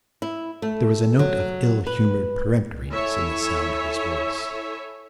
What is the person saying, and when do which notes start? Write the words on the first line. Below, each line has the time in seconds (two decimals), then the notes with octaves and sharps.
There was a note of ill-humoured peremptoriness in the sound of his voice.
0.22 E4
0.62 A3
1.19 F#3
1.87 B4
2.89 E4 A4 C#5 E5 G#5